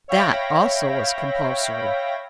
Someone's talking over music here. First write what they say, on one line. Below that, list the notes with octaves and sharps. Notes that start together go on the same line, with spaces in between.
That also was compulsory.
C#5 E5 F5 G5 B5 A#6